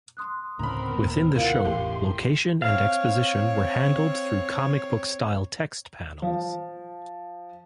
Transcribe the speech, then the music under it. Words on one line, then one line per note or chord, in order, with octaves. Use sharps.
Within the show, location and exposition were handled through comic book-style text panels.
C6 D#6 F#6
D2 A2 C#3 B3 C4 A#4 A#5 B5
D#1 A#2
D2 B2 E4 F4 A#4 F5 F#5
E1 A1 A2 G4 C6
C4 C#5 F5
F3